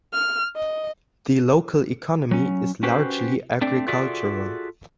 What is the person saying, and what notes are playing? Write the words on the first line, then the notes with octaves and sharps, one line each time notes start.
The local economy is largely agricultural.
F6
D#5
F#3 C#4
C#4 F#4 G4 B4 C5
A3 C4 D4 D5
F4 F#4 G#4 A4 D5 E5